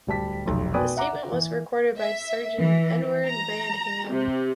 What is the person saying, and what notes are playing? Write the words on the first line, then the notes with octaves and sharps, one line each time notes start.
The statement was recorded by Sergeant Edward Badham.
D1 G3 A5 B6
F1 B1 F2
B2 B4 D5 G5 G#5 D#6
E5 F#5 A#5 D6
E3
E5
E3
A#5
C3